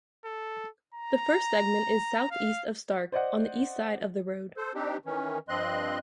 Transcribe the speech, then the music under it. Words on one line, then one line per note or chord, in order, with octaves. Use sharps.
The first segment is southeast of Starke on the east side of the road.
A4
A#5
F5
C5 D5 D#5 F#5
A4 C5
C4 D4 D#4 G4
D#3 E3 C#4
G2 F3 C4 D#5 C6 F#6